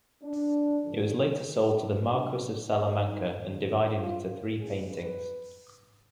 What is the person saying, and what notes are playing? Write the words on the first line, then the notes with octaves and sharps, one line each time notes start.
It was later sold to the Marquis of Salamanca, and divided into three paintings.
D4
G#1 G2 D3 F3
B1 B2 D4
D#4
F2 D#3
F4
G#1 G2 D#3 G#4
B4